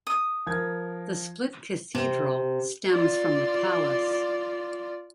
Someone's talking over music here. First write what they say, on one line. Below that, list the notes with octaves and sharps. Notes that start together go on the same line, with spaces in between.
The Split Cathedral stems from the palace.
D#6
F3 A#4 G#6
C3
F4 D5